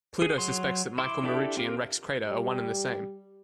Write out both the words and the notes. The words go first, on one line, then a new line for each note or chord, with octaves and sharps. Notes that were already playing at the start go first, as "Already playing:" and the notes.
Pluto suspects that Michael Marucci and Rex Crater are one and the same.
G#4
F#3 C6
E4 C6 D6
D4 E4 G4 A4 E5
C4 F4 G4 A#4
G3